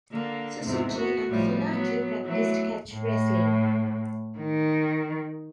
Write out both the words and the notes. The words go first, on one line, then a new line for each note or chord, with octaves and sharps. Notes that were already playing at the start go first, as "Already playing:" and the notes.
Suzuki and Funaki practised catch wrestling.
D3 A#3
E2 G#2 C3
B3 F#4
A2 F3 G3
F#3 B3
E3 F#3 A3
A2
D#3